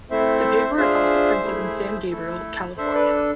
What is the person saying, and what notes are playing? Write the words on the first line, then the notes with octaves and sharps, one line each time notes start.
The paper is also printed in San Gabriel, California.
A3 C4 E4 A4 C5 E5
D4 F4 G#4 C5 E5
A3 E4 G#4
A3 E4 A4
D4 A4 C5 E5
B4 D5